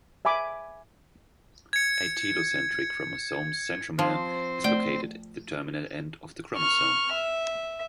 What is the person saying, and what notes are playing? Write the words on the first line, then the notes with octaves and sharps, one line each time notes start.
A telocentric chromosome's centromere is located at the terminal end of the chromosome.
E5 G#5 B5 D6
G#6 C#7
F3 C4 C5
A3 D5 G5
C#6 F6
E5